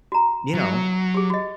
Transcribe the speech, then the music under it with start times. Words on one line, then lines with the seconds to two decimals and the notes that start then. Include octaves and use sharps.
you know,
0.12 F#4 A#5
0.55 F#3
1.15 G4 G#4
1.30 F#4 D#5